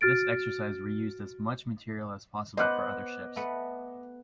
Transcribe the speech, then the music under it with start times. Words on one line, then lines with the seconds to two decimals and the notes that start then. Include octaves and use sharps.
This exercise reused as much material as possible for other ships.
0.01 F#4 F6 A6 D7
2.57 B3 C5 D#5 D6 F#6
3.36 A3 B3